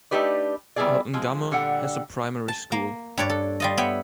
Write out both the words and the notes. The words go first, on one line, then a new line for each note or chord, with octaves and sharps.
Altengamme has a primary school.
A3 D4 D#4 G4 B4 D5
G3 B3 D#4 E4 G#4 D5
F3 G#3 C4
A#2 D3 G3 F#5 G5
A5
A#3
G2 D4 C#5 D5
A4
G3 F4 D#5
B3 C#5 E5 G5